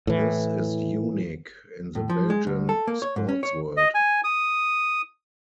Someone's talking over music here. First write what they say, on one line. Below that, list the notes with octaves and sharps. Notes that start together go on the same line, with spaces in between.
This is unique in the Belgian Sports World.
A2 E3
A2
F3
G#3
D2
A4
A#3
C#5
G#2
C#4
C#5
D#5
G#5
D#6